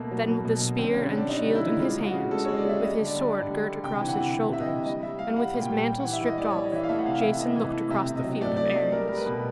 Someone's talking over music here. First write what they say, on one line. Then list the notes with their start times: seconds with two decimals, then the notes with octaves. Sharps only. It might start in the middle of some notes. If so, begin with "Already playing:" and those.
Then with the spear and shield in his hands, with his sword girt across his shoulders, and with his mantle stripped off, Jason looked across the field of Ares.
Already playing: B2 A3 A#3
0.11 F#3
0.28 B2
0.45 B2
0.61 B2
0.78 D3 C4
0.91 C#4
0.96 G3
1.04 C#4
1.12 D3 D4
1.29 D3 D#4
1.47 G3
1.55 E4
1.64 G3
1.80 G#3 F4
1.97 C#3
2.06 F#4
2.14 C#3
2.31 G#3 A4
2.45 G#3 C#5
2.57 D5
2.65 G#3 E5
2.82 G3 D#5
2.99 D3
3.07 D5
3.16 G3
3.33 D3
3.50 G3
3.67 D3
3.84 C3 G5
4.01 E3
4.09 F#5
4.18 C3
4.34 E3
4.52 C3 E5
4.60 D#5
4.68 E3
4.85 G3 D#5
5.02 G3 E5
5.19 G3 F5
5.36 G3 F#5
5.54 A#2
5.62 G5
5.70 G3
5.87 G3 G5
6.00 F#5
6.04 E3
6.13 E5
6.21 E3 D#5
6.38 G3 D5
6.50 C#5
6.55 G3
6.64 D#5
6.72 E3 E5
6.84 F5
6.89 A3 E5
6.99 F#5
7.06 C3 F5
7.22 E3 E5
7.39 A3 D#5
7.56 E3
7.73 A3
7.90 C3 E5
8.07 C3
8.16 D#5
8.24 F#3
8.41 A3 D5
8.57 A3 D5
8.66 D#5
8.75 A3
8.92 G3 A#4
9.08 G3 A#4
9.17 B4
9.26 B2